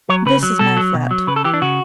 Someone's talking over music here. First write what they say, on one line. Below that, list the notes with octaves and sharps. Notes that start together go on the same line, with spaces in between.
This is my flat.
F#3 C#5
C#3 B4
F#3
B2 A4
F#3
B2
F#3
C#3 B4
A4
E3 G4
D4
C#3 F#4